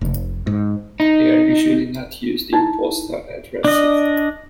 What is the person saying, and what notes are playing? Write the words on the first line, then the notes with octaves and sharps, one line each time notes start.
They are usually not used in postal addresses.
F1
G#2
D#4
D#4 E4
D4 D#5